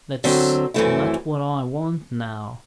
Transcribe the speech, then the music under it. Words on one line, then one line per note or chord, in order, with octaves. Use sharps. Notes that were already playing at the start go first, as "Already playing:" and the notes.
That's not what I want now.
D3 F#3 C4
F#2 E3 A3 C4 E4